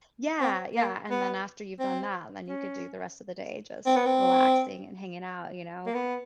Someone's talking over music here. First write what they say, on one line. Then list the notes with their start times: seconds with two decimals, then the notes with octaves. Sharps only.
Yeah. Yeah. And then after you've done that, then you could do the rest of the day just relaxing and hanging out, you know?
0.41 C4
0.76 A#3
1.11 B3
1.80 C4
2.49 C#4
3.86 C4
3.96 B3
4.06 C4
5.87 A#3
5.94 B3